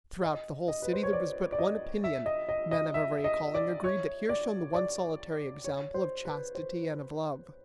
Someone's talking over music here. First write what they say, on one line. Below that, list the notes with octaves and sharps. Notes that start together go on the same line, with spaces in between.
Throughout the whole city there was but one opinion, men of every calling agreed that here shone the one solitary example of chastity and of love!
D#5
D#5
B4
C5
C#5
D5
D5
D#5
E5
D#5
D#5
D#5
E5
D#5
D5
C#5
D5
D5
C#5
C5
B4
C5